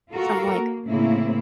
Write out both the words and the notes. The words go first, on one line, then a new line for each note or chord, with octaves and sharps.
some, like,
F4 F#4 A4 A#4
A#3
A2 C#3 A#3 C4 E4